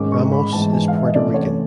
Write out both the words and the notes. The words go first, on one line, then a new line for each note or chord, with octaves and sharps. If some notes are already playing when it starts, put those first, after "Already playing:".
Ramos is Puerto Rican.
Already playing: G#2 D#3 G#3 C#4 D6
C#6
B5
G#2 E3 G#3 B3 A5
G#5
F5
E5
D#5
C3 E3 A3 C#4 D5
C#5